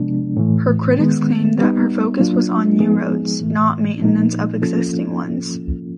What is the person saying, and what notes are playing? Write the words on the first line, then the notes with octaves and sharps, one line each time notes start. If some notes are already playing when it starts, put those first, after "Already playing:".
Her critics claim that her focus was on new roads-not maintenance of existing ones.
Already playing: C3 F3 G#3 B3 D4
A2 E3 A3
D#3 G#3 B3
G3 B3 D#4
F#3 A#3 D4 F4
F3 G#3 B3 D#4 G#4
A2 E3 A3
A#2 F3 A#3 D#4
F3 A#3 C#4 F4 A4